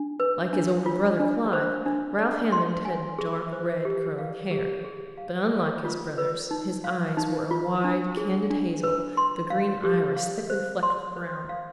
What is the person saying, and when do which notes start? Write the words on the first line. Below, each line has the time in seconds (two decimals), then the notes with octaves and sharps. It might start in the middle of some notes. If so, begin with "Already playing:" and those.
Like his older brother, Clive, Ralph Hammond had dark-red, curling hair. But unlike his brother's, his eyes were a wide, candid hazel--the green iris thickly flecked with brown.
Already playing: D4
0.20 B4
0.53 D4
0.86 F4
1.20 D4
1.53 C5
1.86 D4
2.19 D5
2.52 C6
2.85 G#5
3.19 G#4
3.52 C5
3.85 G4
4.19 F5
4.51 G4
4.84 G#4
5.18 F5
5.51 D5
5.85 F4
6.18 B4
6.51 D#4
6.84 F5
7.17 D#4
7.51 F4
7.84 D4
8.17 G#4
8.50 D4
8.83 B4
9.17 C6
9.50 F5
9.84 G4
10.17 F5
10.50 C5
10.83 C6
11.17 C5
11.49 F5